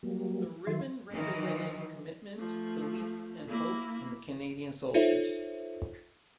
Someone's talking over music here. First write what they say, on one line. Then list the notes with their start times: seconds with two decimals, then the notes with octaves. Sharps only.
The ribbon represented commitment, belief and hope in the Canadian soldiers.
0.03 F#3 G3 A#3
0.67 D#3 F#3 E5 C6
1.10 D#3 E3 F#3
2.36 F3 A3
3.48 A#3 E4
4.94 D#4 F4 A4 C5 C#5 E5